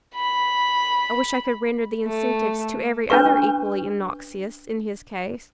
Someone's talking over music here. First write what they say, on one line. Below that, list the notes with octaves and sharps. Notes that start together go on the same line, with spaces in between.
I wish I could render the incentives to every other equally innoxious in his case.'
B5
A3
C#4 D4 B4 C#6